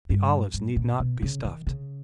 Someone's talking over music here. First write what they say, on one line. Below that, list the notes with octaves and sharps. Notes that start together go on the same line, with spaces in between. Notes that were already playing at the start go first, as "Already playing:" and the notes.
The olives need not be stuffed.
G2
G2
A#2
B2
C#3
D#3
C#3